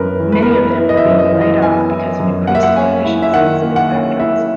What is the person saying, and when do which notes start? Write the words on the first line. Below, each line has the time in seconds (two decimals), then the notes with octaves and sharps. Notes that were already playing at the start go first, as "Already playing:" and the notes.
Many of them were being laid off because of increased efficiencies in factories.
Already playing: F#2 B3 E4 A#4 B4
0.19 E3
0.32 B4
0.42 A#4
0.47 B3
0.53 B4
0.75 E4
0.89 D#5
0.97 E5
1.05 F#2
1.19 D#5
1.33 E3
1.41 D#5
1.62 B3 G#5
1.90 E4
2.20 F#2
2.47 A#3 F#5
2.55 E5
2.63 F#5
2.76 C#4 G#5
3.05 E4
3.22 E5
3.33 D#3 F#5
3.62 A#3
3.76 F#5
3.91 C#4
4.19 E4 E5